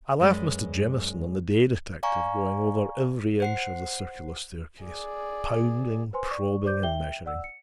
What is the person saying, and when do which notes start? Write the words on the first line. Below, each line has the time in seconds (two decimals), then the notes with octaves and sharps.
I left Mr. Jamieson and the day detective going over every inch of the circular staircase, pounding, probing and measuring.
0.20 F#2 G#3 B4 D5
2.03 D5 F5 G#5 A#5 C#6
3.40 C5 F#5 C7
4.84 G#4 D5
6.13 B4 C5 G#5 C6
6.31 D5 C#6
6.64 G4 C5 D5 D6 G6
6.83 E5 G5 G7
7.26 D5 F#5 E6
7.44 C#7